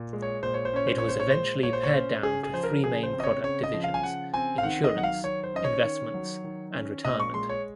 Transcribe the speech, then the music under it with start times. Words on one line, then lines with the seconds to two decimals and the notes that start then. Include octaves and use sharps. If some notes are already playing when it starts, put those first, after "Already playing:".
It was eventually pared down to three main product divisions: insurance, investments, and retirement.
Already playing: A#2
0.13 G#3
0.22 C#5
0.43 A#2 C5
0.54 C#5
0.65 C5
0.73 C#4 C#5
0.87 C5
0.98 C#5
1.03 A#2
1.09 C5
1.20 C#5
1.30 G#3 C5
1.63 A#2 C#5
1.73 C5
1.83 C#5
1.93 C#4 C5
2.23 C#3 G#4
2.43 G#4
2.53 F3 C5
2.63 A#4
2.84 C#3 G#4
3.03 C5
3.13 C4
3.20 D#5
3.24 C#5
3.44 C#3 C#5
3.63 D#5
3.74 F3
3.84 F5
3.94 G#5
4.03 C#3 F#5
4.34 C4 G#5
4.58 F5
4.63 D#3 F#5
4.84 D#5
4.94 F#3 F#5
5.03 F5
5.23 D#3 C#5
5.44 C5
5.54 C#4 D#5
5.64 C#5
5.84 D#3
6.14 F#3
6.44 D#3
6.75 C#4
7.05 A#2 D#5
7.20 C#6
7.34 G#3 C6
7.49 C#5